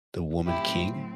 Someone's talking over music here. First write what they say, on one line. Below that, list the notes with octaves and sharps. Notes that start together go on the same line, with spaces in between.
The Woman King?
A2 F#3 C4 E4 G4